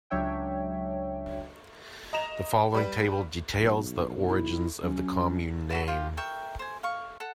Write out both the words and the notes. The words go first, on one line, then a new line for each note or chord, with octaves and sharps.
The following table details the origins of the commune name.
C#2 F#3 D4 C#5 E5 G5
D#5 A#5 E7 F7
G3 B4
B1
E4
F#3 C#4
E4 F#4 A4
F4 G4
A#4 E5 G5 C#6
C5 G#5
F5 C#6
A4 F#5